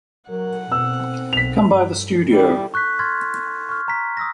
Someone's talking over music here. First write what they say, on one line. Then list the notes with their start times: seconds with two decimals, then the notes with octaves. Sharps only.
Come by the studio.
0.30 F#3 A#4 F#5
0.72 B2 C4 E6
1.33 B1 B6 F7
1.66 G2
2.32 D#3 G3 E4
2.74 C#6 F#6 G6 B6
2.99 C6 F6 F#6 G#6 A6
3.69 C#6 F6
3.88 A#5 B6
4.17 D#6 E6 A#6